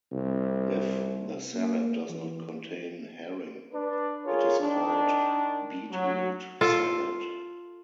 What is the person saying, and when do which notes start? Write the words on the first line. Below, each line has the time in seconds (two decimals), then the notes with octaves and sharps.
If the salad does not contain herring it is called beetroot salad.
0.12 C2
1.54 A#3
2.10 E3
3.73 D4 B4
4.25 F4 G#4 A#4 C#5
4.60 D#3 D4
5.91 F#3
6.61 F4 A4